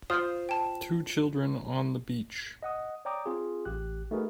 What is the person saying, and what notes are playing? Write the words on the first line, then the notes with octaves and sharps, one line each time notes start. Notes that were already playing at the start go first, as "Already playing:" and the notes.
Two children on the beach.
F4 C5 D#6
G5 A5
D#5 F#5 D#6
C#5 D5 G5 A#5 D6 D#6
C4 F4 G#4
A1 G4 F#6
A3 D#4 F#4 G#4 A#4 B4